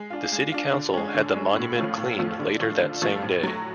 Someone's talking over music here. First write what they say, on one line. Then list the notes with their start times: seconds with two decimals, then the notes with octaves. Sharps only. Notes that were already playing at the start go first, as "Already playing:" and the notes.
The City Council had the monument cleaned later that same day.
Already playing: G#3
0.10 D4 F4
0.32 G#3
0.52 D4 F4
0.73 D3
0.93 G#3 C#4
1.14 D3
1.35 G#3 C#4
1.56 A2
1.76 F3 A3 C#4 F4
1.98 A2
2.18 F3 A3 C#4 F4
2.39 D3
2.60 F3 A3 F4
2.81 D3
3.02 F3 A3 F4
3.22 A2
3.43 F#3 A3